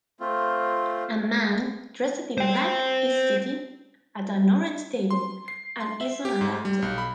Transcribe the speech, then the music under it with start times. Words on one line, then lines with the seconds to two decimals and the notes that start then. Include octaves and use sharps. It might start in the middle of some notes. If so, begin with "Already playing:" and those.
A man dressed in black is sitting at an orange table and is on a laptop.
0.20 A3 C4 F4
2.38 C5 G5
5.11 C6
5.48 C7
5.80 C6
6.01 E5
6.25 G4
6.41 G#2
6.65 G3
6.82 B1
6.98 B5